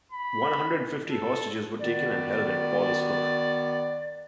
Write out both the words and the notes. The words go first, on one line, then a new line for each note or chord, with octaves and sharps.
One hundred fifty hostages were taken and held at Paulus Hook.
B5
A4
D#3 B3 F#4 D5